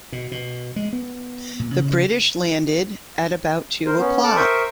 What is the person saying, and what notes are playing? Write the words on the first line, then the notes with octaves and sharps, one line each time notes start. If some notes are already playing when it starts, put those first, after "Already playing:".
The British landed at about two o'clock.
B2
B2
G#3
B3
A#2
C#3
A#4 C5
B3 C#4
A4 A5 D6
A#4 C5 E5 G5 C#6 D#6